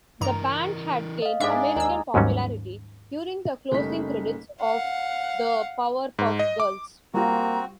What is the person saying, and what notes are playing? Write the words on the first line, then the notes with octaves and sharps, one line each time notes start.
The band had gained American popularity during the closing credits of "The Powerpuff Girls".
G2 E3 A#4 A#5
D#5 F5
G#2 D4 G#4 D5 E5
D#2 D#5 G#5 A#5 E6
D#2 G#2 F#3 G3 C#4 C#5
F#1 C#3 G3 A3 D#4 B6
F5 F#5
G#2
D#5
D6
G3 A#3 C4 F4 F#4 A#5